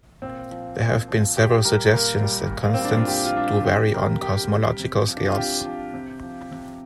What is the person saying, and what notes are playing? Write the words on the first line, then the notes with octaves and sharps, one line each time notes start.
There have been several suggestions that "constants" do vary on cosmological scales.
A#2 C4
F3
A#2
F3
A#2 G4
G3 A#4
A#2 A#4
G3
A#2
A#3
G3 C4
D4
F4
A#2 G4
F4
G3 D4
C3 G4
G3 A#4
C3 G4
G3
C3
F3
D4
F4
C3 G4
F3
C3
F3
C3